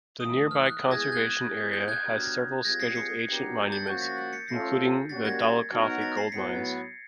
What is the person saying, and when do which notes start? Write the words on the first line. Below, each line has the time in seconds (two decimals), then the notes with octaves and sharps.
The nearby conservation area has several scheduled ancient monuments including the Dolaucothi Gold Mines.
0.20 A2 E3 A3 D#6
0.51 F6
0.66 F#6
0.81 G#3 B3 E4 G#4
0.91 G#6 A#6
1.01 G6 A6
1.12 F#6 G#6
1.42 G3 B3 E4 G#4
1.73 G6
1.88 F#6 G#6
2.03 F#3 B3 D4 G4 A#4
2.65 G3 C4 F4 G#4 G#6 A#6
2.80 A#6 C7
2.95 B6 C#7
3.26 F#3 B3 D4 G4 A#4
3.72 G6 A6
3.87 F3 A#3 C#4 F#4 G6 A6
4.02 A6 B6
4.18 A6 B6
4.33 B6 C#7
4.48 A3 C#4 F4 A4 A#6 C7
5.09 G3 A#3 C#4 F#4 A6 B6
5.25 G#6 A#6
5.40 A6 B6
5.71 F#3 B3 D#4 F#4 A#4
6.01 A6 B6
6.17 A#6 C7
6.31 A2 F#3 B3 B6 C#7